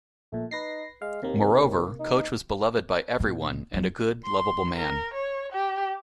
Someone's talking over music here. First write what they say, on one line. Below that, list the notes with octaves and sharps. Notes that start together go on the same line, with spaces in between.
Moreover, Coach was beloved by everyone and a good "lovable man".
A#1 A#2 A3
D#4 B4 A#6 C7
G#3 F5
D#2 C3 A#3
D#4
A#2
F#3
C6
A#4
C#5
G4